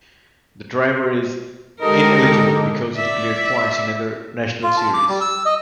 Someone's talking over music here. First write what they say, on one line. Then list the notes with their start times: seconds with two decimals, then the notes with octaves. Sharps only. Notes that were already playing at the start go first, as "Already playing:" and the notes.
The driver is ineligible because he declared points in another national series.
1.82 D3 G#3 D#4 G4 A4 A#4 A#5
2.97 D5 E5
4.63 F4
4.77 A5
4.94 D6
5.09 G3
5.21 E6
5.46 D#5